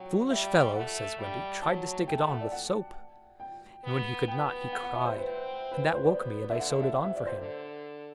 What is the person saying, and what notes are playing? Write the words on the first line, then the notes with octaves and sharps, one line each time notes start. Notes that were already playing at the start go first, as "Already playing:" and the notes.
"The foolish fellow," says Wendy, "tried to stick it on with soap, and when he could not he cried, and that woke me, and I sewed it on for him."
Already playing: F#3 F#5 G5
G3 E5
A3 F#5
G3
F#3 A5
A3 G5
A5
F#5
D5
F#5
G5
B3
B3 G5
F#5
F#5
E5
C5
C4 B4
B4
B4
C5
B3 D5
D3 E5
F#5
E5
E5
C3 F#5
E5
D5
C5
D3